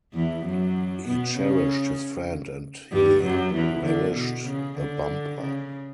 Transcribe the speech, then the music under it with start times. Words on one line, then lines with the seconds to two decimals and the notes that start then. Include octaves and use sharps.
He cherished his friend and he relished a bumper.
0.14 E2 E3
0.46 F#2 F#3
1.07 B2 B3
1.38 C#3 C#4
2.93 G2 G3
3.24 F#2 F#3
3.55 E2 E3
3.86 D3
4.17 B2
4.47 C#3
4.78 D3
5.41 C#3